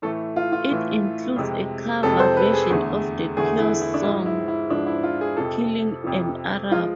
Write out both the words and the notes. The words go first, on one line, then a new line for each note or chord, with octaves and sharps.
It includes a cover version of The Cure's song "Killing an Arab".
A2 E3 A3 A4
F4
F4
A2 E3 A3
F2 C3 G#3
F2 C3 G#3 A4
C5
B4
G#4
E2 D3 A3
E2 D3 A3 G#4
E4
E4
D4
G#2 F3 G#3 E4
E4
E4
G#2 F3 G#3 D4
E4
F4
G#4
F2 C3 F3 A4
F2 C3 F3
F3 G#3 F4